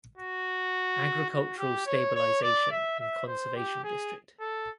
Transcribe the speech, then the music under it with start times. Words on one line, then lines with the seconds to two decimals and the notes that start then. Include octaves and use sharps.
Agricultural Stabilization and Conservation District.
0.18 F#4
1.30 F#4
1.58 G4
1.86 C#5
2.15 C#5
2.43 D5
2.71 E5
3.00 E5
3.27 C5
3.55 G4
3.84 G#4
4.40 A4